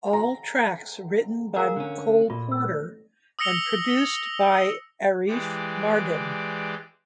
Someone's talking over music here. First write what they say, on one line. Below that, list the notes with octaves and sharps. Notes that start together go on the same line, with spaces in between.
All tracks written by Cole Porter and produced by Arif Mardin.
A#5
G#4 A#4 F5 A#5
D3 C#4
A#2 F4
E6
D#6 E6 A#6 C#7 F7 G7
E3 G#3 G4 D5